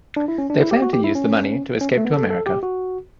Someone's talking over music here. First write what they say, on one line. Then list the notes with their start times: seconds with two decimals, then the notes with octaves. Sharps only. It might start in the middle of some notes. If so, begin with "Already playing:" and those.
They plan to use the money to escape to America.
0.16 D4
0.28 E4
0.38 C#4
0.50 D4
0.61 E4
0.71 G4
0.82 F#4
0.93 G4
1.04 E4
1.15 C#4
1.81 C#4
1.97 A3
2.05 B3
2.13 A4
2.30 A4
2.46 G4
2.63 F#4